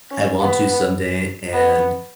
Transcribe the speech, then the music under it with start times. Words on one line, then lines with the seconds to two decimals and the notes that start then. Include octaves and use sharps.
I want to someday, and
0.11 C#4
0.40 B3
1.53 B3